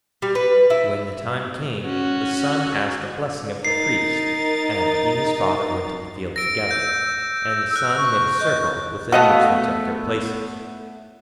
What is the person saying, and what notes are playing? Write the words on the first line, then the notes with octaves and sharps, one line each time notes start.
When the time came, the son asked a blessing of the Priest, and he and his father went to the field together; and the son made a circle within which they took their places.
G3
B4
E4 E5
C#4 F#4
D#4 A#4 A6 C7
E6 A#6 D7
G6
E6
F#6
C#6
D#5 G6
A3 B3 F#4 D#5 F5 F#5 A5